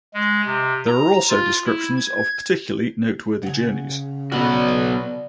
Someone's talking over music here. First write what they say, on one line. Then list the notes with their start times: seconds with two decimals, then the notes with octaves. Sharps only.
There are also descriptions of particularly noteworthy journeys.
0.14 G#3
0.45 C3
0.87 A#5
1.29 F4
1.65 E4
1.97 G#6
3.43 C#3 F#5 G#5
4.32 F#3 B3 F#4 D5